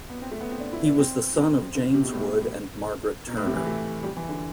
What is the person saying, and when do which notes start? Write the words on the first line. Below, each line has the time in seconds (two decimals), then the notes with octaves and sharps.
He was the son of James Wood and Margaret Turner.
0.10 B3
0.22 C4
0.31 A3
0.41 B3
0.51 C4
0.60 D4
0.73 E4
0.86 D4
0.98 C4
1.36 C4
1.75 D3
1.94 C3
2.04 B2
2.13 A2
3.27 B2
3.37 A2
3.47 C3
3.56 E3
3.65 A3
4.03 G3
4.17 E3
4.29 D3